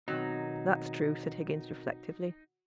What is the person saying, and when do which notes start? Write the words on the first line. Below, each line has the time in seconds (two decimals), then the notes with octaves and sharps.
'That's true,' said Higgins, reflectively.
0.08 B2 D#3 F#3 C4 D#4